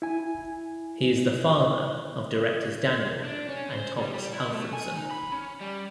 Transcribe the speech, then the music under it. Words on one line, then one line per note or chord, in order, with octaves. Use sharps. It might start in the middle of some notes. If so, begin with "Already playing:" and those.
He is the father of directors Daniel and Tomas Alfredson.
E4 G#5
D4
C#4
C5
G3
G3
E4
A3
G#5
D#4
B5
C#4
G3